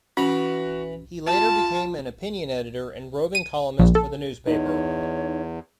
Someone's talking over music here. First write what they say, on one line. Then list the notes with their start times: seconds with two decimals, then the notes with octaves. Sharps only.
Later he became an opinion editor and roving columnist for the newspaper.
0.17 E3 C#4 F#4 B5
1.27 F4 A5
3.35 D#7
3.79 A#1
3.95 A4
4.47 E2 D#4 C#5